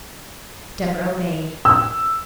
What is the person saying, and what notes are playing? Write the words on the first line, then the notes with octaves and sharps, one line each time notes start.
Deborah obeyed.
E6